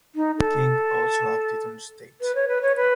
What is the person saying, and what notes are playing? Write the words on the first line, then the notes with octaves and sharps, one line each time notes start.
King also acted on stage.
D#4
A4
B4
C#5
B4
C#5
B4